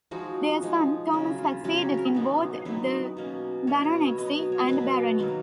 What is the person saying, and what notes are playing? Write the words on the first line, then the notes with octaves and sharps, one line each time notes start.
Their son Thomas succeeded in both the baronetcy and barony.
F3 G#3 D#4 F#4
F3 G#3 D#4
C#3 F#3 C#4 A#4
F4
C#3 F#3 C#4 F#4
C#5
A#4
F#3 B3 D#4
F#3 B3 D#4 B4
B2 A#3 C#4
B2 A#3 C#4 C#5
C#5
C#5
B2 F#3 B3 D#5
C#5
B2 F#3 B3 B4
D#3 F#3 A#3